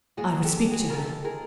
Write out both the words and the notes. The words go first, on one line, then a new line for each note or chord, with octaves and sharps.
I would speak to her.
D#2 D#3 G#3 F#4 G#4
G4 A4
F#4 G#4
A#4
G4 A4
G#4 A#4